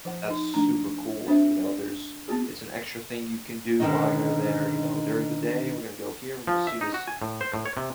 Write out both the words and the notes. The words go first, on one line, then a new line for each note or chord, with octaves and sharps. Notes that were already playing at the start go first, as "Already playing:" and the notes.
that's super cool, you know? There's it's an extra thing you can do while you're there, you know? "During the day, we're gonna go here, we're gonna see this
F3 C5 F#5
D#4 D#5
F3 A3 D4 A#5
C4 D4 F#4 C5 E5
D5
B3 C4 F#4 G#4
B2 D3 D#3 G#3 C#4 D#4
F3
E5
D#4
F#4
G#5
A2
C5
A2
C#5
C3